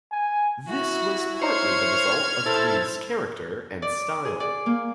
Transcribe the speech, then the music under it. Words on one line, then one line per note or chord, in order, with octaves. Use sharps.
This was partly the result of Greene's character and style.
G#5
E4 F#4
C5 C#5 F6 G#6
E4 A4 C5
D5
G#4
D5
A#3